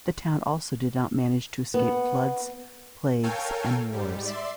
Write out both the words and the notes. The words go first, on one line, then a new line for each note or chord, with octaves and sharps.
The town also did not manage to escape floods, plagues and wars.
B3
A4 A#4 C#5 F5 G5 G#5
G#2 G3
D5 E5 C6